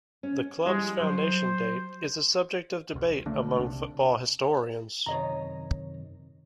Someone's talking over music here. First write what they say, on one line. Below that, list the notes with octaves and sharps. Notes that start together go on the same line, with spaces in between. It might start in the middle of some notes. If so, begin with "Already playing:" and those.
The club's foundation date is a subject of debate among football historians.
C#4
F3 G3 G#3 E4
F#3 C5
E1 B1
D3 A3 A#3 D4
E1 C2 C3 D4
F#2 C3 D#3 C#5 D#5 A#5